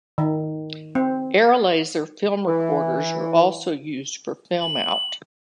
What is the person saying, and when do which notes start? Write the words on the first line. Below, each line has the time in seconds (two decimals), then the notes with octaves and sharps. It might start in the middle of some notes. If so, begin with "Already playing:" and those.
Arrilaser film recorders are also used for film-out.
0.18 D#3
0.95 C4
2.48 E3
4.60 F#7